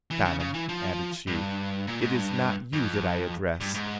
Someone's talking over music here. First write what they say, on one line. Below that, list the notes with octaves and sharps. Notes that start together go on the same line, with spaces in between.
Ganem," added she, "it is not you that I address!
E3
C#3
C#3
E3
F3
G2
A#2
G#2
G2
F2
G2
G#2